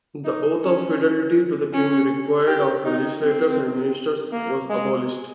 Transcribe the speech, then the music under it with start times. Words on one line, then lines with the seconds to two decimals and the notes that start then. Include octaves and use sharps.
The oath of fidelity to the king required of legislators and ministers was abolished.
0.25 D#4
0.62 C#4
1.74 C#4
2.47 G4
2.85 D#4
3.22 C4
4.33 A#3
4.69 G#3